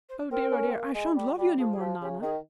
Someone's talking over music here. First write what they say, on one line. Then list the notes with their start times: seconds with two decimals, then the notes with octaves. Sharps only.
Oh dear, oh dear, I shan't love you any more, Nana.
0.09 C5
0.31 C4 A#4
0.52 C#4
0.69 C4
0.73 A#3
0.94 G#3
1.15 G3
1.38 G3
1.58 F3 G#4
1.72 G#4
1.79 F3 G4
2.01 C#3 G4
2.22 D#3 G#4